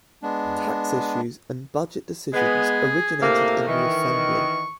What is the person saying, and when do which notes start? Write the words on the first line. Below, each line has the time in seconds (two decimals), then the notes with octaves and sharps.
Tax issues and budget decisions originated in the assembly.
0.23 G#3 B3 D4
2.34 G#3 B3 G#4
3.21 A2 C3 A#3
3.67 D#3 E3 C#6